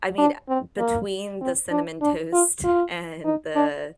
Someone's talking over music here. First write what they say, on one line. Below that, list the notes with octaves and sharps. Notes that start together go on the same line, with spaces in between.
I mean, uh, between the cinnamon toast and the
D4
C4
A#3
C4
D4
D4
F4
F4
D#4
D4